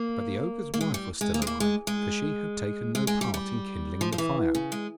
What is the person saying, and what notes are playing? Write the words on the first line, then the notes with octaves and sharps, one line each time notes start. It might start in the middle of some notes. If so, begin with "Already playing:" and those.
But the ogre's wife was still alive, for she had taken no part in kindling the fire.
Already playing: A#3
A#3
G#3
G3
G#3
A#3
G#3
A#3
G#3
G#3
G#3
G#3
G3
G3
F3
F3
E3
C#3
G#3